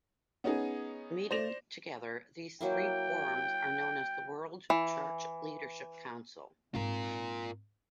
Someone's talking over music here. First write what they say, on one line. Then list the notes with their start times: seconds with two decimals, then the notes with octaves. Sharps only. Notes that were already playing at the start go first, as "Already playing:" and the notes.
Meeting together, these three quorums are known as the World Church Leadership Council.
0.44 B3 C#4 D#4 G#4
1.31 C5 D5 D6 A#6 E7 F7
2.61 F#3 A#3 E4 G5
4.70 E3
6.74 G#2 C4 F4 A#4